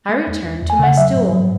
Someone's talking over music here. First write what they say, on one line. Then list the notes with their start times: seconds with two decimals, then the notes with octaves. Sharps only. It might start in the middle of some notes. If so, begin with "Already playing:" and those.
I returned to my stool.
0.09 G#3
0.27 E2
0.44 E2
0.62 E2
0.70 G#5
0.79 C#3 F#5
0.98 F#3 E5
1.15 G#2
1.33 F#3